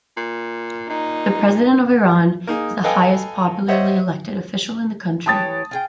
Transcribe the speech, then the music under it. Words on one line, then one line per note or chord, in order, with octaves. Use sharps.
The President of Iran is the highest popularly elected official in the country.
A#2
A#2 D#4
A#3 D#4 G#4
A4 B4 D#5 F5 G5 G#5
C5 C#5 D#5 E5 F#5
E3 G4 C#5 A5 D#6 A6
F4 G#4 G5